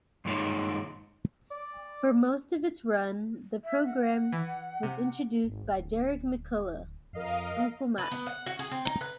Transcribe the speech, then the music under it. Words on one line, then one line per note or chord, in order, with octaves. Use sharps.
For most of its run, the programme was introduced by Derek McCulloch, Uncle Mac.
G2 A#2 D#3 G#3 D#4 C#5
D5
E5
F#5
E3
C3
G#1
D1
F2 A#4 D#5 F5
B4
B3
F#5
F#4
G#4
C4
D#4
B4